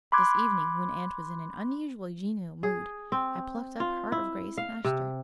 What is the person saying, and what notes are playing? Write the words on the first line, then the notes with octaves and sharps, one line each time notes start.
This evening, when Aunt was in an unusually genial mood, I plucked up heart of grace and asked her.
B5 C6 D6 F#6 G#6
G#4
C4
F4
E4
F5
C3